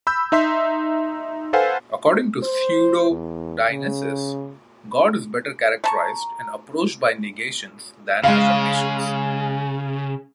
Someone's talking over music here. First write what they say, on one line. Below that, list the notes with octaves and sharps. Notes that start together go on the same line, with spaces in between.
According to pseudo-Dionysius, God is better characterized and approached by negations than by affirmations.
B5 E6 G6
D#4 E5 C6 B6
A4 B4 C5 F5 F#5 G#5
C5
E2
C#3
A3 A5 A#5 C#6
C#3 G#3 F5